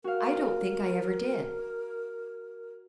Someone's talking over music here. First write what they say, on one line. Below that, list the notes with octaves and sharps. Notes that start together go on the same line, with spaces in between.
"I don't think I ever did."
F#4 A#4 F5